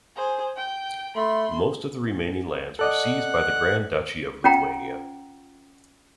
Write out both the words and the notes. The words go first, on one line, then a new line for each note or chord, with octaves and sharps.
Most of the remaining lands were seized by the Grand Duchy of Lithuania.
G#4 C5
G5
A3 B5 C6
A4 D5 D#5 F#5 F#6
C#4 F4 F#5 G5 A#5